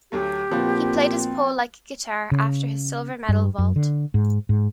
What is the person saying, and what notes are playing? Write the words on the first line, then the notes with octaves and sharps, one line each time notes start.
He played his pole like a guitar after his silver medal vault.
D2 F#3 A3 G4
A#2 F3 B3 C4 F#4
C#3
G2
F#2
D3
G#2
G#2